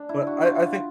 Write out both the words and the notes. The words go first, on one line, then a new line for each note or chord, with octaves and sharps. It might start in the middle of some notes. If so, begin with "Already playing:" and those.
But I I think
Already playing: D4
E4
F#4
F4